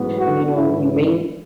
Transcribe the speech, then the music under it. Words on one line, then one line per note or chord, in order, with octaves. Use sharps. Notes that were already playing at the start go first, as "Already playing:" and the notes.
And, you know, you may
Already playing: A1 G#2 F#3 B3
F#4
G#1 G#2 E3 E4